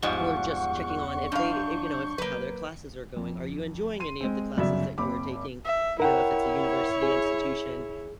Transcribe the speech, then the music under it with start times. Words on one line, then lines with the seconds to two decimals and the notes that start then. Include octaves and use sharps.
or just checking on if they, eh, you know, if how their classes are going. "Are you enjoying any of the classes that you are taking?" you know, if it's a university institution,
0.03 E2 G#2 F3 G3 F#5 C#6
1.32 F#2 D4 F5 G6
2.18 F#3 A#3 B4
3.16 F2
4.00 C6 D#7
4.21 G#3 C4
4.57 G1 F#2 C#3 F#3 D5 E5
4.98 F#1 C4 B5 D6
5.65 E5
6.00 E4 A#4 C#5 F#5 G5
7.03 G#4